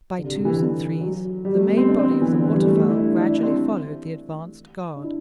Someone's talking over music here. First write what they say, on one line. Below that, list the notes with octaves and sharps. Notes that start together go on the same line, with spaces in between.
By twos and threes, the main body of the waterfowl gradually followed the advanced guard.
D3
C3
C3
E3
D3
E3
F#3
G3
A3
B3
C4
D4
C4
B3
E3
D3
E3
G3
A3
A3
E4
D4
E4
D4
D4
C4
D4
E4